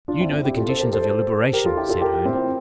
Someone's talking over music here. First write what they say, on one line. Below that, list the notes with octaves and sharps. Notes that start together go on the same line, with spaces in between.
"You know the conditions of your liberation?" said Herne.
D4 F4
C4 E4
C4 E4
E4 G4
F4 A4
A4 C5
G4 A#4
A4 C5
G4 A#4
F4 A4
E4 G4
F4 A4
G4 A#4
C4 E4